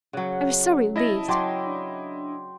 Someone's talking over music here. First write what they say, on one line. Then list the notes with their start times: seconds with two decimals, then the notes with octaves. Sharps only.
I was so relieved!
0.13 C#3 F#3 F#5
0.96 E4 D#5 A5 A#6
1.28 F#3 G5 C6 D6
1.67 D4